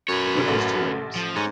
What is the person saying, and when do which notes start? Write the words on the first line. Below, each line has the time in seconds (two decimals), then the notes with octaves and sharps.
The book has two aims.
0.09 F#2 B4 C#5
0.35 D3
0.48 A1 A3
1.16 F3
1.36 G#2 C#4